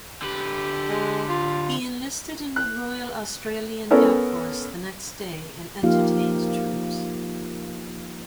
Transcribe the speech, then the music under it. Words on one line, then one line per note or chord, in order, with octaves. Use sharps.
He enlisted in the Royal Australian Air Force the next day and entertained troops.
D3 G4 B4
G#3
F4
F#6
B3 C#4 A4 A#4 C#5
F3 A#3 D#4 F4 G4 F5